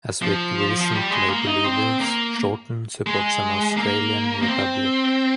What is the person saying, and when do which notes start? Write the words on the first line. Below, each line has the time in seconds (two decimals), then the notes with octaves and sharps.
As with recent Labor leaders, Shorten supports an Australian republic.
0.22 F3
0.81 F3
0.94 G3
1.10 G#3
1.28 A#3
1.46 D#4
1.64 C4
2.00 A#3
3.06 G#3
3.77 A#3
4.42 A#3
4.48 C4